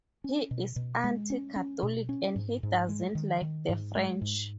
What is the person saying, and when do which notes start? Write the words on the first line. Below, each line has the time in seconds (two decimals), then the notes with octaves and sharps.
He is anti-Catholic, and he doesn't like the French.
0.24 C#4
0.51 B2
0.76 B2
1.04 G#3
1.30 C#4
1.56 C#4
1.83 B2
2.09 C#4
2.36 G#2
2.63 G#2
2.89 G#3
3.15 D#3
3.42 D#3
3.69 G#2
3.96 G#3
4.22 G#2